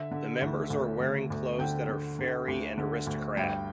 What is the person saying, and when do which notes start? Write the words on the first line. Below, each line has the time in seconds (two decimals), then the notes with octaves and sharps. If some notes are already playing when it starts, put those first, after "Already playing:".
The members are wearing clothes that are fairy and aristocrat.
Already playing: D3 E5
0.11 D3
0.42 D2
0.70 D2
1.00 D2
1.30 D2
1.59 D3 G5
1.89 D3
2.19 D3
2.48 D2
2.78 D3
3.07 D2
3.37 G2 G5